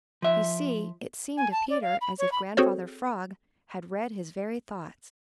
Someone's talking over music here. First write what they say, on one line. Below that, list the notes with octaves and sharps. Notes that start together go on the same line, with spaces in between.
You see, it seemed to Peter as if Grandfather Frog had read his very thoughts.
F3 E5
G#5
A5
D5
F5
B5
C#5
B5
C4 F#4 G#4 A4 C5 C#5